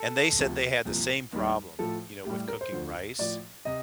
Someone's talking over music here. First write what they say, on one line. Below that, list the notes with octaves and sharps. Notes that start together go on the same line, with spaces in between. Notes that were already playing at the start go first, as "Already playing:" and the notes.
and they said they had the same problem, you know, with cooking rice,
Already playing: A4
D2 C3 F3
C2 A#2 F3
D#2 D#3 G3
A2 F3 A4
A2 G3 G4
A#4
C5
D2 D3 F3
A2 F3 D5
C3 D#5